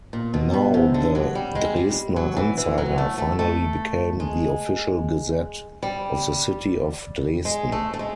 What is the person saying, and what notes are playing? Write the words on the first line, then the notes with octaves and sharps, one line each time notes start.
Now the "Dresdner Anzeiger" finally became the official gazette of the city of Dresden.
A#2
B2
B2
C3
D3
F#3
G3
G#3
G3
F#3
E3
E3
F#3
A3
A3
A3
G#3
G3
G#3
A3
A3
G#3